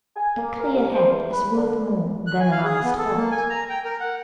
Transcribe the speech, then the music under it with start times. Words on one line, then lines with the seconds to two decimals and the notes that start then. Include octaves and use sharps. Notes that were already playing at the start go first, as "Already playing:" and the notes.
A clear head is worth more than an honest heart.
0.16 G#5
0.37 A#3
0.60 A#4
0.73 C2
0.94 C5
1.11 E2
1.33 B4
1.55 D3
2.27 F#6
2.40 G#5
2.51 F5
2.64 G#4
2.84 B3
2.98 A4
3.16 A#3
3.32 G#5
3.50 A#5
3.69 G5
3.85 A#4
4.00 F#5